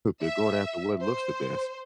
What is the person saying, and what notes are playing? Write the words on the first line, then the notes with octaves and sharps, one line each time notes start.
They're going after what looks the best.
E5
C5